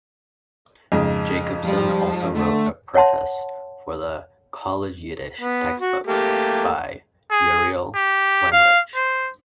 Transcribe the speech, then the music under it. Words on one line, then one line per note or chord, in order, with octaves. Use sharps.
Jakobson also wrote a preface for the "College Yiddish" textbook by Uriel Weinreich.
F2 G#2 C#3
F3 G3
D3 A3
C#5 E5 F#5 A5 C6
B3
F#4
A3 A#3 G4
G#4
G4
F5
C5